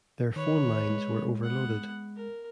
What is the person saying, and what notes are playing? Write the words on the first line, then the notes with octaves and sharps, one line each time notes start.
Their phone lines were overloaded.
D#3 B4 C#5
G#3
B3 F#5
A#4